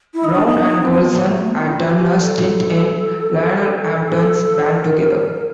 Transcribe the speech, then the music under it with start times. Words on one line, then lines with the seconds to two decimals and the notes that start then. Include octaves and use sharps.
Brown and Golson had done a stint in Lionel Hampton's band together.
0.14 E4
0.24 D#4
0.35 D4
0.47 D#4
0.80 C4
0.91 C4
0.97 B3
1.14 A#3
1.24 A#3
1.30 A3
1.47 B3
1.60 E4
1.69 F4
1.92 G4
2.14 A4
4.08 G#4
4.14 A4
4.73 A4
4.80 A#4